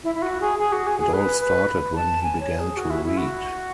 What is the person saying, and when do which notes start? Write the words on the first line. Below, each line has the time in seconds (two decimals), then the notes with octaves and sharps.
It all started when he began to read.
0.04 E4
0.15 E4
0.22 F#4
0.41 G#4
0.59 G#4
0.72 F#4
0.87 G#4
1.00 G#4
1.13 B4
1.41 B4
1.95 A5
2.23 G#5
2.40 C#5
2.59 G#4
2.77 F#4
2.90 E4
3.04 E4
3.17 F#4